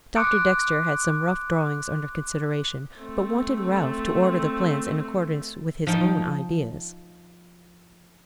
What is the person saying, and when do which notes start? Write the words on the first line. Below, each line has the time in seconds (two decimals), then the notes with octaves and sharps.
Doctor Dexter had some rough drawings under consideration, but wanted Ralph to order the plans in accordance with his own ideas.
0.16 C6 D6 D#6 F#6 C#7 D7
2.99 A3 C4
5.87 F3 D#4 G5